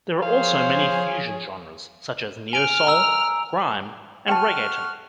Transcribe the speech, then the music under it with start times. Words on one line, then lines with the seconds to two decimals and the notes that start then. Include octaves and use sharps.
There are also many fusion genres such as Neo soul, Grime, and Reggaeton.
0.23 F3 G#4 C5 C#5 F5
2.53 G#5 F6 D7
2.87 A#5 E6 F7
4.28 F#5 G5 A5 C#6 F6